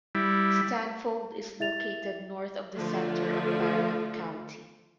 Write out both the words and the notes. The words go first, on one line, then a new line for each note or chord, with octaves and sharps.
Stanfold is located north of the center of Barron County.
G3 E4
E4 E5 A6 F7
D3 F3 A3 F4